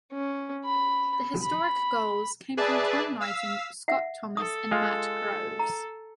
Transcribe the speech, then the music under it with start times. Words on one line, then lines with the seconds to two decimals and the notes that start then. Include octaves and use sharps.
The historic goals came from Tom Knighton, Scott Thomas and Matt Groves.
0.12 C#4
0.65 B5
1.43 B5
2.57 G#4 B4 D5 E5 A5
3.21 F5 E6 B6
3.88 E5 F#5
4.37 A4 D#6
4.71 G#3 F4
5.59 A#5